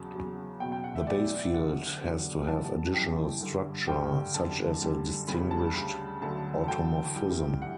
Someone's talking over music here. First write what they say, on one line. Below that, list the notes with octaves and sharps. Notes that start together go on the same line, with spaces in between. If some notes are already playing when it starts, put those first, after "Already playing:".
The basefield has to have additional structure, such as a distinguished automorphism.
Already playing: E2 C#3 F#3 A5
E2 C#3 F#3
E2 B2 F#3 G5
G5
F#5
E5
E2 B2 F#3 D5
E2 D3 F#3 F#5
E2 D3 F#3
F#2 E3 G3 A5
F#2 E3 G3 G5
G2 D3 G3
G2 D3 G3 G5
F#2 D3 G3 A5
F#2 D3 G3
D2 C#3 G3 B5
A5
D2 C#3 G3 B5
D2 D3 F#3 A5
A5
D2 D3 F#3 G5
G2 E3 G3
E3 G3 F#5